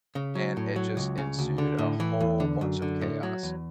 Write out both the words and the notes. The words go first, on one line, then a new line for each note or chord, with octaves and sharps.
and it just ensued a whole bunch of chaos.
C#3
F#3
A2
F#3
C#2
C#3
D2
D3
A2
E3
E2
D3
F#2
D3
A2
F#3
E2